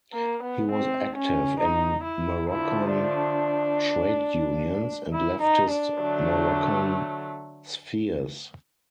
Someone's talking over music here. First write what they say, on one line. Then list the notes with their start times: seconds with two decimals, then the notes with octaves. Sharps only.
He was active in Moroccan trade unions and leftist Moroccan spheres.
0.13 A#3
0.42 B3
0.72 C4
1.17 C#4
1.60 D#4
2.03 E4
2.48 D3 F3 A3 E4
2.92 D4
5.13 E4
5.42 D#4
5.72 D4
6.00 D3 F#3 A3